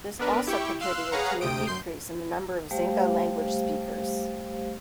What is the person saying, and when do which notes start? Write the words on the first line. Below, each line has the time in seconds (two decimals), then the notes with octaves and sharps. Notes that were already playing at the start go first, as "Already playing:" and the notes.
This also contributed to a decrease in the number of Xinca-language speakers.
0.19 B3 D4 A#4 B4
0.47 E4 G4 G5 C#6
0.81 F5 C6 E6 F#6
1.12 G#4 B4 C#5 F5 F#5 A#5
1.41 D2 C3 G5 D#6 D7
1.67 F#2 C6 G6 C7
2.71 G3 A3 G4 C5 F5